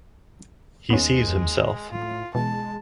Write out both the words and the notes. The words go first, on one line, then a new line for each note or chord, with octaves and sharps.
He sees himself.
D#2 G#3 B3 C#4
A2 F4
B2 E3 G#3 A5